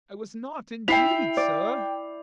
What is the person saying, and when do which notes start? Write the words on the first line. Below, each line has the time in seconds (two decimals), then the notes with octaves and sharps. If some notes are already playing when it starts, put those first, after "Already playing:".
'I was not, indeed, sir.'
0.88 E4 E5 G5 C7 F7
1.37 D5